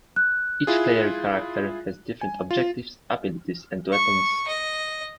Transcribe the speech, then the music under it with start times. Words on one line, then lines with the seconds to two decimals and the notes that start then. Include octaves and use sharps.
Each player character has different objectives, abilities, and weapons.
0.16 F#6
0.67 E4 F4 G#4
2.21 G#5
2.51 F4
3.93 C#6
4.48 D#5